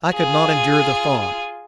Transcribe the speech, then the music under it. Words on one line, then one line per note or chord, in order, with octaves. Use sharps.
I could not endure the thought.
F4 G#4